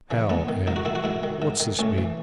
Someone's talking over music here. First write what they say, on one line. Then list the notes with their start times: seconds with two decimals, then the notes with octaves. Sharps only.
"Hell and--What's this mean?"
0.11 C#3 E3
0.30 G#2 B3
0.48 D#3
0.67 G#2 D#4
0.76 F#4
0.85 D#3 E4
0.95 F#4
1.04 G#2 E4
1.23 D#3
1.42 G#2
1.60 D#3
1.79 A2 C#4
1.98 E3